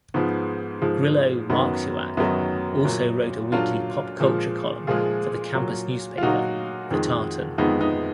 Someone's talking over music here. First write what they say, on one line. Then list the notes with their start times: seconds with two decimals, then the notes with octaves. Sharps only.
Grillo-Marxuach also wrote a weekly pop-culture column for the campus newspaper, The Tartan.
0.14 G#2 F3 G#3 B3
0.82 G#2 F3 G#3
1.50 F#2 D#3 F#3 B3
2.17 F#2 D#3 F#3 B3 D#4
2.85 A#2 F#3
3.52 A#2 F#3 D4 F4
4.20 A#2 F3 G#3
4.87 A#2 F3 G#3 F4 G#4
5.55 A#2 F#3
6.18 F4
6.23 A#2 F#3 D#4 F#4
6.91 F2 D#3 G#3
7.58 F2 D#3 G#3 B3 D#4
7.80 B3 D#4